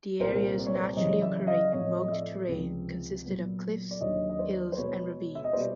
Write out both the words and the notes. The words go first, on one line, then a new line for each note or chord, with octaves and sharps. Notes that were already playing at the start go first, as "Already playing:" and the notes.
The area's naturally-occurring, rugged terrain consisted of cliffs, hills and ravines.
C2 A#2 G3 C4 A#4 C5
D5
C#5
C5 D5
F#2 C#3 E3 G3 C#5 D#5
D5 E5
D#5 F5
A2 F3 A3 C4 C#5 D#5
D#5
D5 E5
C#2 C3 F3 G#3 C4
A#2 F#3 B3
D5
D#2 D3 F#3 C#5 D#5
D#5
C5 D5
C5
B2 G#3 B3 B4 C#5
E5
D#5
B2 G3 B3 C5 D5